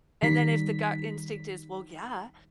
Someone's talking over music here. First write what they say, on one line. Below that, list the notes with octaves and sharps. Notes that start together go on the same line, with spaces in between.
And then if the gut instinct is, "Well, yeah."
D#3 G3 B6